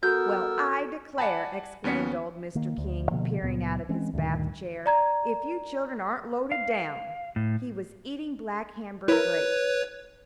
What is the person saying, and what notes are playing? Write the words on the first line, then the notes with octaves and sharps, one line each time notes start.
"Well, I declare," exclaimed old Mr. King, peering out of his Bath chair, "if you children aren't loaded down!" He was eating black Hamburg grapes.
B3 F#4 A4 A#4 E6 G6
D5 F#5 G#5 A5 B5
D#2 B3 C#4 B6 C#7
D#3 A#3
D2
B2 D3 F3 A#3
C#2 A#2 F#3 B3
E3 G#3 C4 C#4
D2 G2 A#2 D#3
D5 A#5 G#6
F5
A2
E4 A#4 B4 C#5